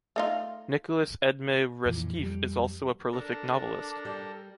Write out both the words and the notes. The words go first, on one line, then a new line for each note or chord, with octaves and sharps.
Nicolas-Edme Restif is also a prolific novelist.
A3 D#4 F4
F2 A#2 E3 F3
F2 G3
D4 A4 A#4
G3